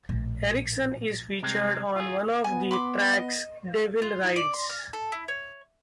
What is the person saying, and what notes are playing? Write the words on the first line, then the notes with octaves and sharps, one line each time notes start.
Erickson is featured on one of the tracks, "Devil Rides".
A#1 A2
C3 G3 G#3 C4
F4 G#4
B3 G#5
B5 C6 D6
D#5
F4
E4
D5
C6
F6
A4
E4
C#5